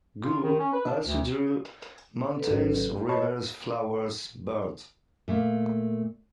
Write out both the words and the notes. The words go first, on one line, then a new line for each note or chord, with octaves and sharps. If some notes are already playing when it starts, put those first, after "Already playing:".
Wu also drew mountains, rivers, flowers, birds.
F4
D#3
C#4
B4
D4
D2
A4 B4
G#1 C#3 F#3
A#4 B4 C#5 D#5 A5
A#2 A3 A#3